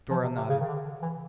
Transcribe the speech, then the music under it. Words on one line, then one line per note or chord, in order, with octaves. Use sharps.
Dora nodded.
F3
C3
C3
C#3
D#3
D3
E3